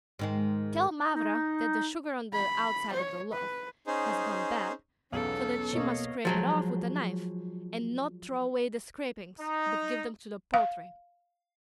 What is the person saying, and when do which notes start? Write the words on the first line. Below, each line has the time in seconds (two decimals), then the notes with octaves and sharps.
Tell Mavra that the sugar on the outside of the loaf has gone bad, so that she must scrape it off with a knife, and NOT throw away the scrapings, but give them to the poultry.
0.19 G#2 D#3 G#3
1.14 D#4
2.33 B5
2.93 C#5
3.33 B4
3.87 C#4 D#4 G#4 C5
5.12 B1 E2 B3 C#4 A4 F5
5.73 B2 A#3 C#5 D#5 F5
6.25 F3 F#3 G#3
9.39 D#4
10.54 F5